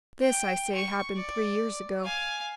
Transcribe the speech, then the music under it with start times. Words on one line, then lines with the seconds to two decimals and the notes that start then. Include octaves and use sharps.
This, I say, happened three years ago.
0.22 G5
0.75 C#6
1.16 D5
2.04 F5 G#5